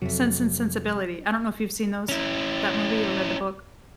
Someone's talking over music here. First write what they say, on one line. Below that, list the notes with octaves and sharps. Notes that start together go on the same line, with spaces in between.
Sense and Sensibility, I don't know if you've seen those? That movie, or read the book?
F2 C3 F#3 E5
C#4 E4